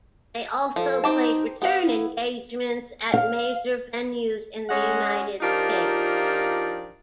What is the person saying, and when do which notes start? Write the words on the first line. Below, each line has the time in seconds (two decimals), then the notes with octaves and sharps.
They also played return engagements at major venues in the United States.
0.76 F3 A4
1.04 C4 D#4 G4 A5
1.62 B3 F5 F#5
1.82 E4
3.13 F5
4.69 G#3 C#4 F#5
5.41 F3 D4 D#4 F4 G4 A#4